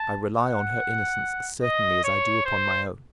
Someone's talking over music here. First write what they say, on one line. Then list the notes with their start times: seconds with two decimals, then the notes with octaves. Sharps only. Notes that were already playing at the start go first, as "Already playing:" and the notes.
I rely on her innocence as certainly as I do upon my own.
Already playing: A5
0.38 F#5
1.62 D#5
2.04 C#5
2.45 C5